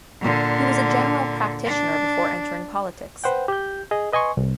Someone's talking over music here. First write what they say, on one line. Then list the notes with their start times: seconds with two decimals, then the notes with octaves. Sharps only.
He was a general practitioner before entering politics.
0.21 A#2 D3
1.65 D4
3.24 B4 C5 F#5 G5
3.48 G4 G6
3.91 G#4 D#5
4.13 B4 D#5 G#5 C6 C#6
4.37 C2